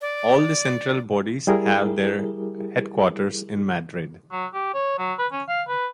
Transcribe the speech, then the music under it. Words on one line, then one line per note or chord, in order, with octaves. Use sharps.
All the central bodies have their headquarters in Madrid.
D5
G3 E4 G4 G#4 A#4
F#3
G4
C#5
F#3
B4
C#4
F5
B4